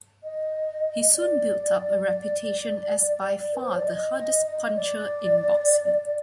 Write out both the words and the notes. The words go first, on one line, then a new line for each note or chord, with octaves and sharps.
He soon built up a reputation as by far the hardest puncher in boxing.
D#5
D5
B4
C5
C#5
D5
D#5
D#5
D#5
D5